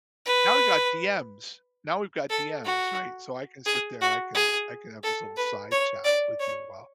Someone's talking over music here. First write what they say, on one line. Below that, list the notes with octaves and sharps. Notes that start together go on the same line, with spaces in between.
now we've got DMs now we've got DMs, right? So, I can sit there and I can I can have this little side chat with you while,
B4
A4
F#4
G#4
F#4
G#4
A4
B4
C#5
D5
C#5